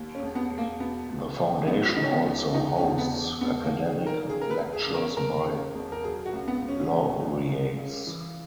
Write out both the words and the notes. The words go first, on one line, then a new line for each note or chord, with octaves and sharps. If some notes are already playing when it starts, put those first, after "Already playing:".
The foundation also hosts academic lectures by laureates.
Already playing: D#2
C#4
E1
B3
E1
A#3
B2 B3
C#2
C#2
G#3 B3
F#4
E4
B2 D#4
C#4
B3
C#2
E2 D#4
C#4
E1
B3
E2
E1 B3
A#3
D#3
G#4
D#3
A#4
C#3 G#4
A#4
B4
E1
G#4
C#3
A#4
E1 A#4
C#3
E1
A#4
F#3 G#4
F#4
C#2
B3
C#2
C#4
C#2
C#2
C#2
C#3
E3